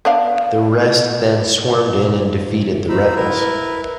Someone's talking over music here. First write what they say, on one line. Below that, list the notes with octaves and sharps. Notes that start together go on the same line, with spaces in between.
The rest then swarmed in and defeated the rebels.
B3 D4 F5
D#4 C5 A#5 B5 E6
E4 A#4 B4